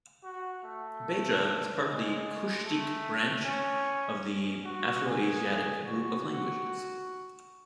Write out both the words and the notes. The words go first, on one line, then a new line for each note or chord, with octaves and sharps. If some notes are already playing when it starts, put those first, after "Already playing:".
Beja is part of the Cushitic branch of the Afroasiatic group of languages.
F#4
A3
G#3
A3
C#4
F#4
G#4
F#4